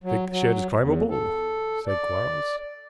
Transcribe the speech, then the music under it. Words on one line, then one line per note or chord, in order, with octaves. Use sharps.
"I think the shed is climbable," said Quarles.
F#3
F#3
E2
A4
D5